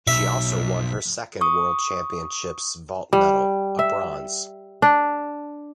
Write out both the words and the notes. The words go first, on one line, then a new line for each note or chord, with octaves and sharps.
She also won her second World Championships vault medal, a bronze.
B1 E5
C#6 D#6
G3
E5
D4